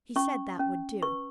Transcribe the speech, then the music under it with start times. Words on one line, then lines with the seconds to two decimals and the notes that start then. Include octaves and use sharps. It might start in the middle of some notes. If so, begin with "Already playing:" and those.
He said that would do.
0.16 C#4 C#6
0.59 C#4
1.03 B4 C#6